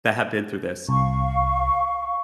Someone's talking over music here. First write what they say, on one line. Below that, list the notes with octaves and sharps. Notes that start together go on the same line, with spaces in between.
that have been through this,
C2 F5 C#6